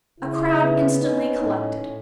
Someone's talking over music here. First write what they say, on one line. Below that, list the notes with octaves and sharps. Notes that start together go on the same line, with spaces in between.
A crowd instantly collected.
C#3 E4
B3
C#4 D#4
A2 D#4
A2